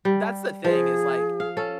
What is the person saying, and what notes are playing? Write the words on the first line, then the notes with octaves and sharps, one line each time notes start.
That's the thing is, like,
G3
F3 G#4
F5
C#4 A4